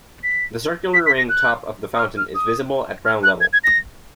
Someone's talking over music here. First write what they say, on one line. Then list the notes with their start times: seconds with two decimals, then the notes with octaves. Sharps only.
The circular ring top of the fountain is visible at ground level.
0.24 B6
0.94 B6
1.06 B6
1.18 A#6
1.29 F#6
1.95 D#6
1.99 F6
2.17 F6
2.35 D#6
3.05 F6
3.23 F#6
3.41 G#6
3.53 G#6
3.64 A#6